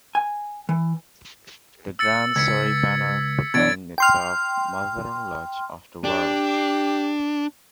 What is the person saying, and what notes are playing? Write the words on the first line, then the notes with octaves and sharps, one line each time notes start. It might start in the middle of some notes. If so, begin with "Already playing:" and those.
The 'Grand Surrey Banner' proclaimed itself "Mother Lodge of the World".
G#5
E3
E6 A6 C#7
C#2 G#6 B6 C#7
B2 E3 D4 G#6 A6 D7
G5 C6 F6
D4 G4